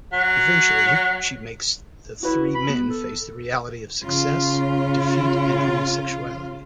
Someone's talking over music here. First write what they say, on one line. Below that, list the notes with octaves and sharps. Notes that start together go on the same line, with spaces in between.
Eventually, she makes the three men face the reality of success, defeat and homosexuality.
F#3
E4 F#4 B4
B5
B3
A4
C#3 F4